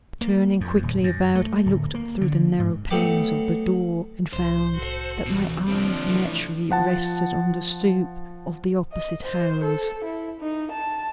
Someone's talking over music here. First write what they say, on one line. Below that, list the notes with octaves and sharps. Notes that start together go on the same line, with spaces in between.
Turning quickly about, I looked through the narrow panes of the door, and found that my eyes naturally rested on the stoop of the opposite house.
A#3
F2
D#1
F#2
A3
D1
A#3
D3
G#2
F#3 A3 B3 G5 D6
C2 A2 C5
F#4 A4
E2 B2
D#2 C3 F3 C4 D4
E3 F#3 A3
F3 F#5 A5
D#5
C5
A4
E4
D#4
A5